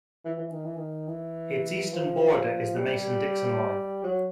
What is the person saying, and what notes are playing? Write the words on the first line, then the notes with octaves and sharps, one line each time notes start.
Its eastern border is the Mason-Dixon line.
E3
E3
D#3
E3
D#3
E3
F3
G3
F#3